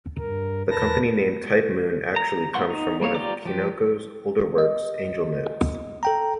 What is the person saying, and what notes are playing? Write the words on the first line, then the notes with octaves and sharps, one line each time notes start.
The company name Type-Moon actually comes from one of Kinoko's older works, "Angel Notes".
G2 A#4
E2 A#4 B4 A5 A#6
A#5
A#3 B3 F#5 C6 C#6
D#4
G3 A#3 C#5 F5
F4 G4 D5 A#5 D6
F3 G4
D#5
A4 G5 A#5